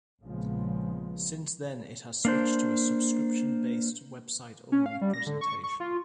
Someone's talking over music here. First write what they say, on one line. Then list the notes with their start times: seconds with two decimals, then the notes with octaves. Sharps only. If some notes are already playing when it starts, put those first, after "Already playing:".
Since then it has switched to a subscription-based website only presentation.
0.24 A#1 C#3 F3 G#3 B3
2.25 A#3 D4 C5
4.72 C#4
4.86 F5
5.01 G3
5.14 A#6
5.27 D3
5.41 C#6
5.64 C#6
5.80 F4